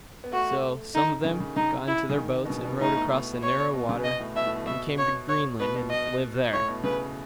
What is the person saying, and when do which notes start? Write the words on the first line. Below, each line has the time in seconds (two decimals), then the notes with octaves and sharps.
So some of them got into their boats and rowed across the narrow water and came to Greenland and lived there.
0.24 B3
0.31 A3 F#4
0.94 D#4
1.21 D#3
1.25 C#3
1.40 C#3
1.56 C#3 D#4
1.88 E4
2.09 C#3
2.18 D#3
2.45 B2
2.50 C#3
2.65 B2
2.81 A2 D#4
2.96 B2
3.11 B2
3.42 C#5
3.73 B2
3.89 C#3
4.04 B2 D#5
4.19 A2
4.36 B2 E5
4.46 A2
4.56 A2
4.66 B2 E5
4.98 C#5
5.29 C#5
5.60 B2 B4
5.76 B2
5.90 D#5
6.53 A2 C#5
6.68 B2
6.83 C#3 B4